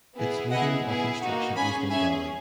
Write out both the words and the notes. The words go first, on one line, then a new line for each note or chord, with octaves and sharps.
Its medium of instruction is Bengali.
B3 E4 G#4
B3 E4 G#4 D#5 F#5
B3 E4 G#4
A#3 D#4 F#4
C#4 G#4 G#5 B5
C#4 G#4 E5 G#5